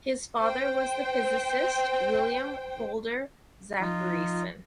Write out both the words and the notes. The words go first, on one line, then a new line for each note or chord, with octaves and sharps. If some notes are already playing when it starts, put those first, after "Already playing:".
His father was the physicist William Houlder Zachariasen.
C5 G5
F3 D#4 F4